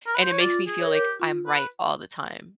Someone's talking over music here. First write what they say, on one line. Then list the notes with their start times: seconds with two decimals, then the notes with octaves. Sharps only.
and it makes me feel like I'm right all the time,
0.06 A#4
0.15 B4
0.23 C5
0.32 C#5
0.40 F4 D5
0.66 G#4
0.80 A#4 C#5
0.93 G4
1.19 F4
1.47 B4